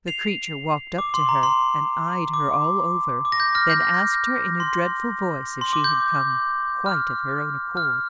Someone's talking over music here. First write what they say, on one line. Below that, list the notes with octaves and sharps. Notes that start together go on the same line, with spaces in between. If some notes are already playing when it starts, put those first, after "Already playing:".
The creature walked up to her, and eyed her all over--then asked her in a dreadful voice if she had come quite of her own accord.
C7 F7
D6
C6
A#5
C6
D6
D6
A#6
G6
F6 A#6
G6
C6
C6
D6
G6
F6
F6